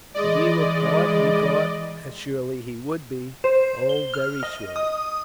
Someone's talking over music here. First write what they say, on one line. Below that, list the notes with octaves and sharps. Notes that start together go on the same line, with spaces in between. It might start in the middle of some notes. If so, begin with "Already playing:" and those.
If he were caught, he thought, as surely he would be--oh, very surely!
E3 G#3 D5 D#5
C5
G7
F6
D#5
D#6